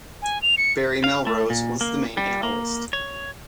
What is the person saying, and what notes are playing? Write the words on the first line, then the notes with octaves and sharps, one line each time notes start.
Barry Melrose was the main analyst.
G#5
F7
C#7
F5
A3
A#2
A#3
G3
A#3
C#5